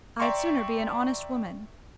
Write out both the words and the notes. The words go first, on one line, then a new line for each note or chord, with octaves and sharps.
"I'd sooner be an honest woman."
D5 E5 G5 A#5 C6 C#6